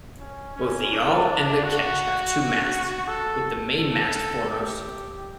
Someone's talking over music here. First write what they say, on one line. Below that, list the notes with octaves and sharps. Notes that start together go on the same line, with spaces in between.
Both the yawl and the ketch have two masts, with the main mast foremost.
C#4
C#4
D4
F#4
A4
A4
G4